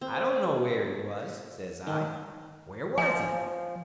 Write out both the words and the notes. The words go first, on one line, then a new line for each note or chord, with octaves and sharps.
"I don't know where he was," says I; "where was he?"
C4
D#3
F3 G#5